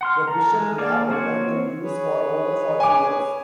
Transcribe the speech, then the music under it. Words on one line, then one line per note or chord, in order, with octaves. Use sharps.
The Bishop map remained in use for over forty years.
F#5 C6 F6
A4 A#5
G#3
A#3 G#4 A4 D5 F5
A#3 C4 F#4 C#5
G#4 B4 C#5
G#5 D6